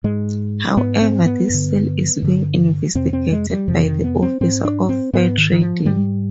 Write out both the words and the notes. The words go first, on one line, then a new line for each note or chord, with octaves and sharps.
However this sale is being investigated by the office of fair trading.
G#2 G#3
G#2 B3
C4
B3
G2 D3
G2 D3
F2 C3 C4
C4
G#3
G3
F2 C3 F3
D#3
B3
C4
G#2 C4
D4
C4
G#2 B3
D#3
D#3
F3
G#2 G3